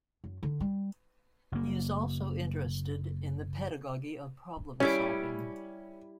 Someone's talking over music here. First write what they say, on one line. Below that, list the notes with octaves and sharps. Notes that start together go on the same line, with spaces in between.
He is also interested in the pedagogy of problem-solving.
F#2
D3
G3
F#1 A#3
G3 C#4 E4 D6